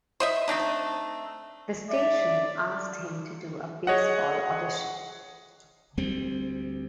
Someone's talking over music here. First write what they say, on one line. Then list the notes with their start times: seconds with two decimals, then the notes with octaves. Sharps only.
The station asked him to do a baseball audition.
0.20 C5 D#5 E5
0.48 A3 C4 D4 D#4
1.89 D5 E5
3.87 G#4 C#5 D#5 F#5
5.98 D2 G3 C4